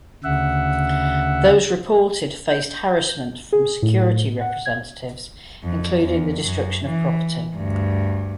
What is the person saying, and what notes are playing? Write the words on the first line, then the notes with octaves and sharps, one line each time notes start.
Those reported faced harassment from security representatives, including the destruction of property.
D2 C#3 E5 F#5
G6
G#4
A2
F#5
G#6
F2
E2
F#2
E3
D2 G2